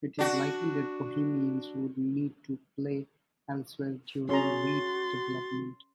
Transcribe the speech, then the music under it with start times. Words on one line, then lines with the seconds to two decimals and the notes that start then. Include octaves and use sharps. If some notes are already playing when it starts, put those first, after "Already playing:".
It is likely that Bohemians would need to play elsewhere during redevelopment.
0.19 D4 F#4
4.29 C#4 F#4 G#4 A#5 C6 A6